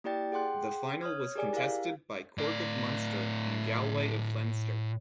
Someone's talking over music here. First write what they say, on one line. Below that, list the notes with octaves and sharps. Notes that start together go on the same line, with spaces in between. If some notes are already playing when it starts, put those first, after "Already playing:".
The final was contested by Cork of Munster and Galway of Leinster.
A#3 E4 G4 D5 G5 A6
G#4 F#5 G5 C6 F#6
C#5 D#6 F6 G#6
G4 G#4 A#4 D5 G#5
E4 G4 A#4 F5
A2 D5